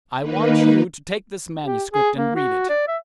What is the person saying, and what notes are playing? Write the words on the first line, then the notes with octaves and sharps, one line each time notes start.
I want you to take this manuscript and read it.
D#3 A#3 D#4 B4
G4
G#4
A#3
F#4
D5
E5